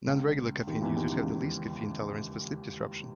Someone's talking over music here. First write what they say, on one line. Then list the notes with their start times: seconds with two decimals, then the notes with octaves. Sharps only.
Non-regular caffeine users have the least caffeine tolerance for sleep disruption.
0.06 C#2 C#3
0.67 D#2 D#3
0.81 E2 E3
0.96 D#2 D#3
1.12 C#2 C#3